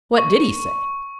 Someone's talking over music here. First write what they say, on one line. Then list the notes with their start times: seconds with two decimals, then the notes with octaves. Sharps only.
"What DID he say?"
0.18 C#6